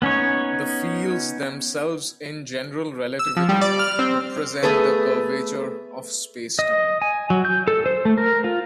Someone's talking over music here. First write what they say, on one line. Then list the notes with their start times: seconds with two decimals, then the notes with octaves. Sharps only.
The fields themselves in general relativity represent the curvature of spacetime.
0.02 B3 C#4 D#4 C#5
3.19 E6
3.37 F3
3.49 G3
3.61 D5
3.79 F6
3.99 C4
4.63 A3 B3 G#4 A4 B4
6.59 D#5
7.02 G#5
7.30 F#3
7.45 G6
7.68 A4
7.86 C5
8.05 A3
8.18 A#4
8.44 F4